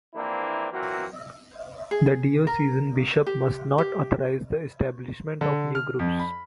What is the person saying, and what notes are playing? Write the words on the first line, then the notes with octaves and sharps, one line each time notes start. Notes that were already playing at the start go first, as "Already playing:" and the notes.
The diocesan bishop must not "authorize the establishment of new groups".
A#1 E3 A#3 C4 D4 E4
A#2 E3 F#3 A#3 C4 F#4
G#4
A#4
G4
G4
D3
F6
F2
B5